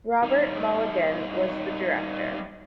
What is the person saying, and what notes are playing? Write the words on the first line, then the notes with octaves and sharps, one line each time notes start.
Robert Mulligan was the director.
G3 D#4